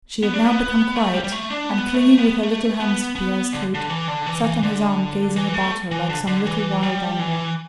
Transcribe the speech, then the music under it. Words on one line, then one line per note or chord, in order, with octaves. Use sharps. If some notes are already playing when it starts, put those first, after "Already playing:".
She had now become quiet and, clinging with her little hands to Pierre's coat, sat on his arm gazing about her like some little wild animal.
B3
D4
B3
A3
G3
G3
A3
D4
B3
A3
B3
A3
B3
B3
D3
D3
E3
D3
E3
E3
D3
E3
A3
E3
D3
D3
E3
G3
E3